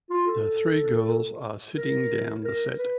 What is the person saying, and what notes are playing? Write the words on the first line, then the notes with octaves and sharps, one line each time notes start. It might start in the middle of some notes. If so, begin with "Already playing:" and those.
The three girls are sitting down the set.
F4
A4
A#4
A#4
B4